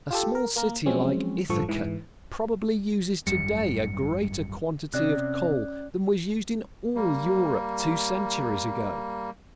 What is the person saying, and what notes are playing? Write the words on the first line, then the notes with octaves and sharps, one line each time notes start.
A small city like Ithaca probably uses to-day a greater quantity of coal than was used in all Europe two centuries ago.
F4 G4 A4
A#4
A#3 A#4
F3 F#3 G#3 C4 C#4
A1 G2 F3 A4 C#6
G#2 E3
G#1 F#2 G3 C#7
C3 C#4 D5 F#6
G3 A#3